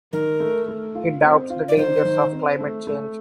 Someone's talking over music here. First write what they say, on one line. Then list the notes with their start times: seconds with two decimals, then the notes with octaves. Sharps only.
He doubts the dangers of climate change.
0.13 D#3 A#4
0.40 A3
0.68 A3
0.95 F4
1.23 C4
1.50 F4
1.68 D5
1.77 D#3 C5
2.05 D#3
2.32 C4
2.60 A3
2.87 A3